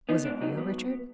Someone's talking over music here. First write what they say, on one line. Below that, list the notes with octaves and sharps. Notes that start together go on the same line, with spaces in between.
"Was it real, Richard?"
B3 D#4
G#2 D4
F#3 D#4
B3